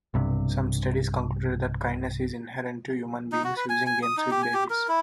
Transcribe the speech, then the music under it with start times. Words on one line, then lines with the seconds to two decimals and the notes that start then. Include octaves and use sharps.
Some studies concluded that kindness is inherent to human beings, using games with babies.
0.14 B1 G2 C3
3.32 D#4
3.44 F#4
3.57 B4
3.69 G#5
3.87 G#5
4.03 D#6
4.18 D#4
4.31 G4
4.43 G#5
4.54 G4
4.70 A#4
4.88 E4